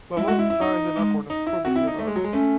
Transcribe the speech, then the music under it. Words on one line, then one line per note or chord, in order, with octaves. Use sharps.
Lalonde's size and awkwardness troubled Leonard.
G#3 E4
G#3 F#4
E4
E4
D#4
G#3
D#4
E4
C4 F#4
E4
D#4
A3
G#3
F#3
G#3
A3 C#4